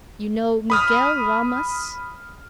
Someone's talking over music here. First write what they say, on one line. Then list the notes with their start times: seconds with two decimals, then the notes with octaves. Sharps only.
You know Miguel Ramas?
0.70 B5 D#6 F6